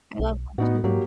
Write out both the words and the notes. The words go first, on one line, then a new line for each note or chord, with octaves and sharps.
I love watching.
B1
A2 B3 D#4 F#4
G#2 F#3 A#3 G4